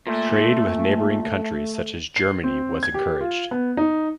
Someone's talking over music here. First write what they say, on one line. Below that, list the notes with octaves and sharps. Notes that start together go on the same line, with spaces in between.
Trade with neighbouring countries such as Germany was encouraged.
A#2 A3 E5
C7
C4
G#6
G4
F4
B3
D#4